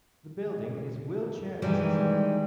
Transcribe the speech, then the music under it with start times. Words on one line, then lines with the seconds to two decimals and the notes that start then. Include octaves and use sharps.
The building is wheelchair accessible.
1.62 D#3 E3 G3 G#3